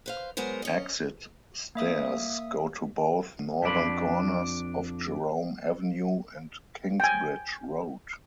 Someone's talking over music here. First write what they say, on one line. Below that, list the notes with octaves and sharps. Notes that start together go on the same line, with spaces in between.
Exit stairs go to both northern corners of Jerome Avenue and Kingsbridge Road.
B4 C5 F5
F#3 G#3 B3 A#4 C5
C#4 D#5
A#3 E5 D#6
F2 D4 B5
G5 G#5